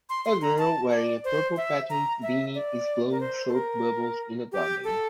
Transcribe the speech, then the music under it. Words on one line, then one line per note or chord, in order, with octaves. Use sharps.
A girl wearing a purple patterned beanie is blowing soap bubbles in a garden.
C6
C6
A#5
A5
D5
C5
E5
A#5
E5
D5
A#4
C5
A4
A#4
G4
A4